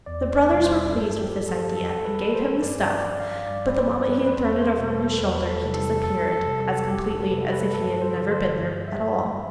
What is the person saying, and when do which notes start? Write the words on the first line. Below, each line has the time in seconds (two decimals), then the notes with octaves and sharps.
The brothers were pleased with this idea, and gave him the stuff; but the moment he had thrown it over his shoulder he disappeared as completely as if he had never been there at all.
0.06 E2 D5
0.35 D5
0.49 B2 G3
0.64 C5
0.92 G2 A4
1.21 G4
1.35 F3
1.49 A4
1.77 F2 A4
2.05 B4
2.21 E3 G3
2.34 C5
2.62 G2 D5
2.91 D5
3.06 F3
3.20 F5
3.47 G2 D5
3.69 B4
3.77 C5
3.90 F3
4.04 B4
4.27 B4
4.33 E2 C5
4.62 C5
4.75 B2 G3
4.90 A4
5.18 E2 B4
5.46 A4
5.60 C3 E3 G3
5.74 A4
6.03 F2 A4
6.32 A4
6.46 C3 G3
6.60 A4
6.88 F2 G4
7.10 A4
7.31 C3 G3 B4
7.53 B4
7.74 G2 A4
8.02 C5
8.16 D3 F3
8.31 C5
8.59 G2
8.88 E5
9.02 F3